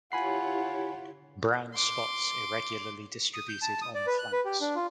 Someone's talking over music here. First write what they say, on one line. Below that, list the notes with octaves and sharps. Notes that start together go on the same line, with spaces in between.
Brown spots irregularly distributed on flanks.
E4 F4 G4 C#5 F#5 G#5 B5 C7
C6 D6
D#6
G6
A5
D#6
D5
B4
F#6
B4
G4
D4
F4